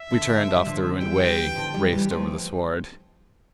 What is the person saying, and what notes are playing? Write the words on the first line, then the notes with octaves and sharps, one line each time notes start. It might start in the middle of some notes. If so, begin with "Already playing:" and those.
We turned off the ruined way; raced over the sward.
Already playing: E5
D3
D3
F3
G3
D3 F3
E3 G3 G5
D3 F3
E3 G3
E3 G3
F3 A3